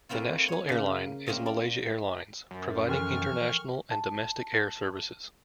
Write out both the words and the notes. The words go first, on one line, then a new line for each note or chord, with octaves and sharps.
The national airline is Malaysia Airlines, providing international and domestic air services.
A3 A#3 C4 E4 F4
C#5 G#5
C#3 A#3
A#3 C4 C#4 D#5 E5
D5
F#2
E3 F3 C#6 F6
A5